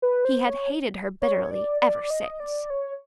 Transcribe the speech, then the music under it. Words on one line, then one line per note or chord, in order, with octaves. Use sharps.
He had hated her bitterly ever since.
B4
C5
C#5
C#5
D5
D5
D#5
D5
C#5